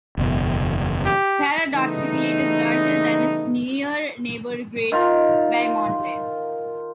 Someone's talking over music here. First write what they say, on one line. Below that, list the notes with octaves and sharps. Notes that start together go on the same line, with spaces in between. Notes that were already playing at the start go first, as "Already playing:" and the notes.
Paradoxically, it is larger than its near neighbour Great Wymondley.
F#1 E2 B2
G4
C#3 E3 G3 A3 B3 D#4
D#3 F4 A#4